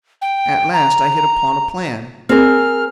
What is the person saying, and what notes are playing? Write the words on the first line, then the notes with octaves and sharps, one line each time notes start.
At last I hit upon a plan.
G5
A#5
C4 G#4 A#4 F6